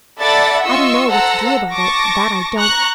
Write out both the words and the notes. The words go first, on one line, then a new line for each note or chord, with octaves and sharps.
I don't know what to do about it, that I don't.
A4 D5 E5 F#5 B5 A6
F4 D#5 C#6 E6
A4 C5 F#5 A#5 E6
A5 C#6 D6 A#6
A#5 C#6 F#6